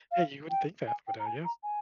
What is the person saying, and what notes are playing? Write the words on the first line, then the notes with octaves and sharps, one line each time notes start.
Yeah, you wouldn't think that, but, uh, yeah.
F5
G5
G#5
G5
A#5
G#5
A#5
G#5